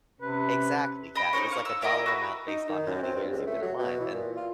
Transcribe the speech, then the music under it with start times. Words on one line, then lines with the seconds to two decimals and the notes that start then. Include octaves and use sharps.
Exactly, yeah, it was like a dollar amount based on how many years you've been alive and
0.22 C3 C#4 B4
1.15 D#5 G5 B5
1.33 D#4 F#4 C5 C#5
1.51 F5 C#6
1.65 E6
1.82 E4 G4 A#4 D#5
2.06 F#4 B4
2.48 D#4
2.69 D#3
2.87 F#2
3.03 C4
3.16 G2
3.32 C#2
3.47 A3
3.62 F#3
3.79 B2
4.00 E3
4.13 A#2
4.37 F4